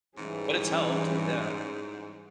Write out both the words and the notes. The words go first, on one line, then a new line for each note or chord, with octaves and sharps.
But it's helped, yeah.
G#2 E3 G3 C#4 G#4